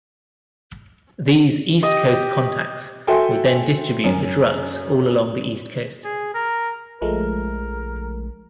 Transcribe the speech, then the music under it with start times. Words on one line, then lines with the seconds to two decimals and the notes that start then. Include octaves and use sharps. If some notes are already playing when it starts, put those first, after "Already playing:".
These East Coast contacts would then distribute the drugs all along the East Coast.
1.83 G4 D#5
3.07 F#4 A4 E5 G5 G#5 C6
4.04 F#2 C#4
6.04 G#4
6.34 A#4
7.02 A#1 F3 G#3 A3 A#4